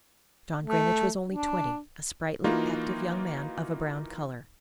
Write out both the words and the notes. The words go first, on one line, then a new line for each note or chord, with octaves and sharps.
John Grinage was only twenty, a sprightly, active young man, of a brown color.
A3
D4
E3 A#3 D#4 F4 F#4